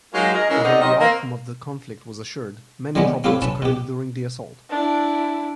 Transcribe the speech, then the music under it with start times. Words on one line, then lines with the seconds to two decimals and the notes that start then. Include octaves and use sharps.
Though the outcome of the conflict was assured, many problems occurred during the assault.
0.14 F#3 G#3 A#3 D#4 F4 F#4
0.33 G#4 A#4 D#5
0.49 C#3 E3 G#3 C#4 D#4 A#4
0.64 A3 B3 C4 D#4 D5 D#5
0.81 D#2 D#3 F#3 C5 D#5
0.99 A#3 C4 A#4
2.95 D#3 G3 G#3 B3 C#4 D4
3.24 C4 F4 G4 A4 B4 C#5
3.42 C#4 B4 A5
3.62 B2 G4
4.70 D4 E4